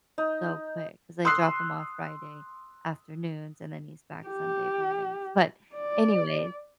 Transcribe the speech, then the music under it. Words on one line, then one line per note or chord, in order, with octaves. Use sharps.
so quick 'cause I drop him off Friday afternoons, and then he's back Sunday mornings. But, anyways
D#4
C6 D#6 E6 F#6 C7
G4
D5